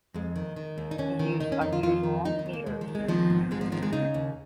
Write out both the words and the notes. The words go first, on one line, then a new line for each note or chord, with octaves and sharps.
He used unusual metres.
F2 G#3
D#3
D#3
D#2
D#4
D#2 C#4
D#3
D#3 D#4
C#4
F2 D#4
F4
F2 F4
D#3
D#3 D#4
D#4
D#2
A#3
D#2 G#3
F3
D#3
G#3
D#3 F3
G#2
G#2 G#3
F3
D#3 F3
G#3
C#3 D#4
D#2